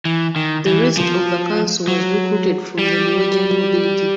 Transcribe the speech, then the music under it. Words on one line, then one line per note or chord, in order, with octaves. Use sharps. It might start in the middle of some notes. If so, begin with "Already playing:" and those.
The rest of the council was recruited from the Norwegian nobility.
E3
D#3
E3
F3
F#3
G3